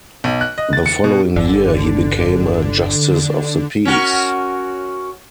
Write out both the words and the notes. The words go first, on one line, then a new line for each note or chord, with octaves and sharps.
The following year he became a Justice of the Peace.
B1
F#6
D#5
A6
C#7
B2
G1 D3
C#4 F#4 A#4